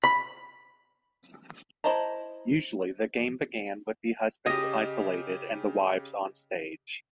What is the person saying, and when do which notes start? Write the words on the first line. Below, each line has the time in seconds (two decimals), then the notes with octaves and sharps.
Usually, the game began with the husbands isolated and the wives onstage.
0.04 B5
1.84 E4 C5 D#5 A5 A#5
4.46 C#3 G4 D#5 D#6